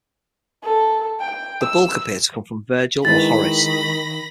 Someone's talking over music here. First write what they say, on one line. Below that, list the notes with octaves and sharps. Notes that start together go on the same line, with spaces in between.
The bulk appear to come from Vergil or Horace.
A4
G5
E6
D#3 G#3 E4 B4 B5 A6 A#6